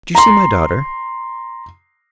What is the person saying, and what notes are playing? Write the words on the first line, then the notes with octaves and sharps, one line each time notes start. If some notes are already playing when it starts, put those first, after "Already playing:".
"Did you see my daughter?"
A#5 C6